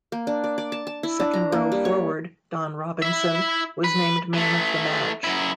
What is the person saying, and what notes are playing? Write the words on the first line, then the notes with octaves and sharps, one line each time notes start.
Second-row forward Don Robinson was named man of the match.
A#3
D4
D5
D5
A5
A5
E4
D4
A#5
A#3
G3
C#5
E4 E5
B4
E3 A3
F#2 E4